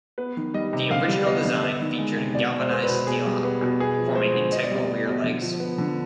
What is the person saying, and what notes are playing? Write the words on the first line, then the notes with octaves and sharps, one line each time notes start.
The original design featured a galvanised steel hopper, forming integral rear legs.
B3 B4
D#3
G3 D#5
C3
D3 F5
G3
B3 D#5
D3
B3
D#3
G#3
C3
B2 D5
G#3
C5
B3
B4
B2
B2 G#4
G3
B3
B2
B3 G#4
F3
G#3 C5
D3
B2 D#5
D5
G3
D#5
B3
B2
D3
F3
B3
D3